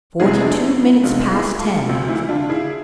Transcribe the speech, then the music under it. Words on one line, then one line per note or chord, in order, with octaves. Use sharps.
"Forty-two minutes past ten!" said Nicholl.
F1 E2 C3 G#3 E4 G#4
D4
E4
E4
F1 E2 C3 G#3 D4 F4
E4 G#4
G#4
F4 A4
D2 C3 F3
E4
D4 F4
E4 G#4